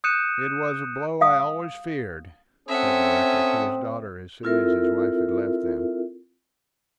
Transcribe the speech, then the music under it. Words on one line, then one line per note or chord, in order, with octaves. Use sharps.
"It was a blow I always feared," said the rector to his daughter as soon as his wife had left them.
D#6 F#6 G6 C#7 D#7 E7
F5 D#6
C4 C#4 A4 E5 F#5 D#6
C4 E4 F4 A4 A#4 E5